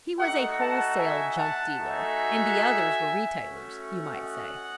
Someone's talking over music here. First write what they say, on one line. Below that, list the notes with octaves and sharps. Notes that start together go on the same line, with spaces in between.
He was a wholesale junk dealer and the others were retailers, you might say.
A3 D#4 F#4 D#5 F#5
F#5 A5
E5 G#5
F#5 A5
A3 D#4 F#4 E5 G#5
A3 C#4 F#4
D#5 F#5